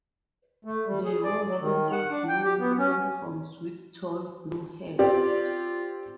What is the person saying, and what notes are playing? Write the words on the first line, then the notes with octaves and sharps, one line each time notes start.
They wore simple blue wool uniforms with tall blue hats.
A3
G3
G#4
D5
F#3
D#3
F#5
D4
G5
G4
B3
C#4
C4 F4 G4 D5